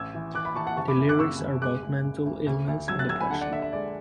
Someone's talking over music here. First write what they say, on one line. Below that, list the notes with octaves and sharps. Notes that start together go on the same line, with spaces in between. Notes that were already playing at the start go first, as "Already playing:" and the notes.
The lyrics are about mental illness and depression.
Already playing: A1 E6 G#6
E3
E3 D6 F#6
B5 D6
E3 A5 C#6
F#5 A5
F#1 A5 C#6
B5 D6
F#2
D6 F#6
C#3 C#6 E6
F#1
G#3 D6 F#6
G#3
C#3
D2
D2
D2
F#3 E6 G#6
F#6 A6
D2 E6 G#6
G#5 B5
D3 F#5 A5
D5 F#5
D3 E5
E5
G#3 D5